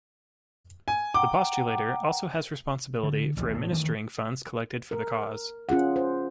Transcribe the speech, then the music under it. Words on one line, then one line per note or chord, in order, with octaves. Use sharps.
The postulator also has responsibility for administering funds collected for the cause.
G#5
F#5 G5 A#5 D6
D3
A1 D2
A2
D#3 E3 A3
A#4
C#4 F4 G#4 F#5
C5